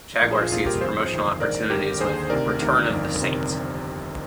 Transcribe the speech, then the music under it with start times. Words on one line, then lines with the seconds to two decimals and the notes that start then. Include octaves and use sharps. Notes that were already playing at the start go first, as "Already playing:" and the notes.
Jaguar seized promotional opportunities with "Return of the Saint".
0.21 A#1 A#2 A#4 D5
0.31 G#4 C5
0.41 F4 G#4
0.52 C2 A#2 F4 G#4
0.66 G4 A#4
0.81 G1 F2 C3 G#4 C5
1.10 G1 F2 C3 D#3
1.40 A#1 G#2 D#3 A#4 D5
1.70 G#1 G2 D3 G4 A#4
2.00 D#2 D3 G#4 C5
2.30 D2 C3 D#3 A#4 D5
2.60 D2 C3 D#3
2.90 G1 F2 D#3
3.20 G1 F2 C3 D#3